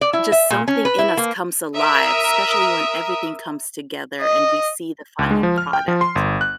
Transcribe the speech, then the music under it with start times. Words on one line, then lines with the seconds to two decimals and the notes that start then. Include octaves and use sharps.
just something in us comes alive, especially when everything comes together and we see the final product.
0.01 D5
0.13 E4
0.32 E5
0.50 A#2
0.68 C#4
0.85 B4
0.98 E4
1.17 A#3
1.75 A#4 E5 D#6
4.21 D#5
5.19 C#2
5.31 G#3
5.43 F3
5.58 F6
5.73 G5
5.88 F3
6.01 C6
6.16 G1
6.41 F#6